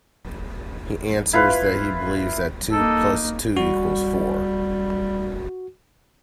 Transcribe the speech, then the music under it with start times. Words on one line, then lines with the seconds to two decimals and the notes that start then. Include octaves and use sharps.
He answers that he believes that two plus two equals four.
1.33 E4 F4 B4
2.72 A#3 D#4 A4
3.57 G3 F#4